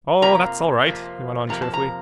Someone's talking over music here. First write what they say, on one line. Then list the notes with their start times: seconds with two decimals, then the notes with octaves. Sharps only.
"Oh, that's all right," he went on cheerfully.
0.22 F2 C3 F3 A#3 A#5
0.86 F2 C3 F3 A#3
1.49 F2 C3 F3 A#3 A#5
1.62 A5
1.74 A#5